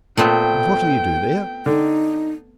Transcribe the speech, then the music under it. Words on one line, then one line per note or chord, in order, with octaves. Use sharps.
And what'll you do there?
A#2 A3 B3 C4 G5
D3 D#4